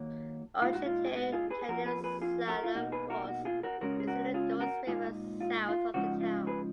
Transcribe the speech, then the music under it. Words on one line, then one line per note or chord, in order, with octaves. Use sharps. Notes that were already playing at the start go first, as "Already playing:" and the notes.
The Argentiere Canoe Slalom Course is in the Durance River south of the town.
Already playing: D#3 F#3 A#3
A#2 G#3 D#4 F4
F#4
F4
G#4
F#4
F4 G#4
G#4 B4
G#4
F2 F3 A#3 F#4 A#4
G#4 B4
G#4 B4
F4 G#4
F#4 A#4
F4
B2 A#3 D#4 F#4
G#4 B4
F#4 A#4
F#4
F4 G#4
F#4 A#4
C#3 G#3 C#4 F#4 A#4
G#4
F#4 A#4
F4 G#4
F#4 A#4
A#2 G#3 D#4 F4 G#4
F4
F4
C#3 F3 G#3 D#4 F#4
F4
G#4 B4